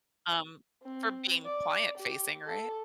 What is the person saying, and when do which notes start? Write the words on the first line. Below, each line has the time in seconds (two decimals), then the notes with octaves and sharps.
um, for being client facing, right?
0.83 C4
1.45 D5
1.98 G4
2.45 A4